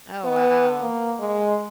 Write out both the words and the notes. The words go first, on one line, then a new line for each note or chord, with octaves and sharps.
Oh, wow.
B3
A#3
G#3